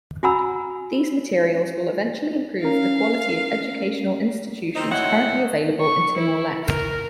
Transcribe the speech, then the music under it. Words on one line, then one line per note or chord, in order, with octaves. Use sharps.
These materials will eventually improve the quality of educational institutions currently available in Timor-Leste.
F#4 F#5 G#5 A#5 B5 E6
C#4 A#4 F5
D#3 C4 D#4
F#2 C4 D#4 E4 C#5 F#5
C#6
E4
A#4